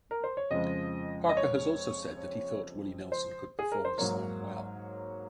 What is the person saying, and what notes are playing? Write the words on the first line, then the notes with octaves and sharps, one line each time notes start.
Parker has also said that he thought Willie Nelson could perform the song well.
A#4
C5
C#5
F2 C#3 F3 G#3 D#5
D#5
C#5
C5
G#4
A#4
C5
G#2 F#3 A#3 C#5